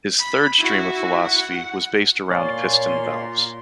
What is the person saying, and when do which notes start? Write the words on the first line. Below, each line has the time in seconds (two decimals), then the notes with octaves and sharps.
His third stream of philosophy was based around piston valves.
0.19 B5
0.58 E4 F#4
1.24 F#5
2.31 A#2 A#3 F4 C#5 D5 G#5 C6 C#6